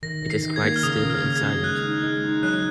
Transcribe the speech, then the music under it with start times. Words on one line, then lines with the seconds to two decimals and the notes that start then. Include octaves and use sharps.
It is quite still and silent.
0.03 D#3 A#6
0.23 D#3
0.30 C7
0.43 D#3
0.56 G#6
0.63 A#3
0.76 F6
0.83 C#3 D#6
1.03 C#3
1.10 F6
1.23 C#3
1.36 G#6
1.43 C#3
1.63 G#3 F#6
1.84 D#4
2.04 G#3
2.24 D#4
2.43 F#3 F#6